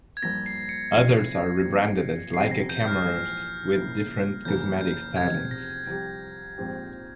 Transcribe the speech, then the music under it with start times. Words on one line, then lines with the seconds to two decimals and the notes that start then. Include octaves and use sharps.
Others are rebranded as Leica cameras with different cosmetic stylings.
0.17 G#6
0.22 G2 F3 A#3 A#6
0.46 C7
0.69 C#7
0.93 A#2 F3 C4 E4
1.63 A#2 F3 C4 G4
2.33 F1 E2 C3 G3 C4 C7
2.51 A#6
2.69 G6
2.87 F6
3.04 A#1 G#2 E3
3.75 C#2 C#3 F3 A#3 E4
4.45 F1 E2 C#3 E3 A#3 G6
4.81 G6
5.16 F1 E2 C3 F3 C4 G#6
5.51 A#6
5.87 C2 C3 F3 C4 G4
6.58 A#1 G#2 F3 C4 G4